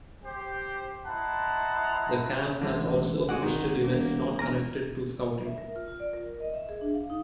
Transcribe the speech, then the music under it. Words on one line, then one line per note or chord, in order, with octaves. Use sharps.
The camp has also hosted events not connected to Scouting.
G4 C5
E4 C5 D#5 F#5 A5 A#5
A1 D3 E3 G#3
F1 G#3 F#4 D5 F#5
G#1 D#3
E1 A#3
E1 A#4 G#5 A#5
E5
A#4
F4
F4
D5
A#4
D#5
E5
G#4
D4
F5
D#4